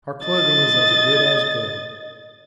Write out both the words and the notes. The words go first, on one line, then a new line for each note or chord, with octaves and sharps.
'Our clothing is as good as good.
D#5 A6